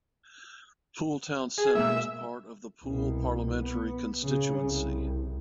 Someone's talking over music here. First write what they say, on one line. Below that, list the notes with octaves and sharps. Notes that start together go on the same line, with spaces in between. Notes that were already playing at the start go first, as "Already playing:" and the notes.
Poole Town Centre is part of the Poole parliamentary constituency.
G#4
B2 G#3 A#3 E5
C2 B2
B3
C#3
C2